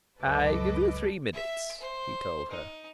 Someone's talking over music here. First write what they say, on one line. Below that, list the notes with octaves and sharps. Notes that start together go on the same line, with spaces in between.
"I give you three minutes," he told her.
C#2 F#2 A4 B4 D#5 D6
E5
C5
D#4